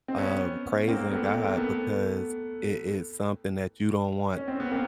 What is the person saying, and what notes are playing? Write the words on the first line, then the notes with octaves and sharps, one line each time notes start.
um, praising God because it is something that you don't want
C4
B3 C#4
A#3 C4
A3 B3
A#3 C4
A3 B3
C#4
C4
B3
A#3 C4